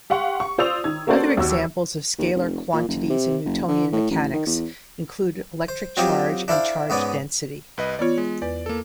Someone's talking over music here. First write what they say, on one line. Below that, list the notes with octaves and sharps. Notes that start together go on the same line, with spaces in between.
Other examples of scalar quantities in Newtonian mechanics include electric charge and charge density.
G4 F5 F#5 C6 C#6
C#6
F4 C5 D5 D#6 E6 F7
D#3 G#6
A#3 C#4 F#4 A4 C5 D5
D#2 F#4 E6
D#2
F1
A#2
F#1
C3
F#1
D3
A2
A1
D#3
E2
C5
F#3 C4 D#4 F4 G4
D4 E4 A4 C5 F5
G#2 B3 C#4 D5 G#5
C2 B4 D#5
E3 B3 F4 C#5 D5
G#3
E2 B4 D5
A#3 A4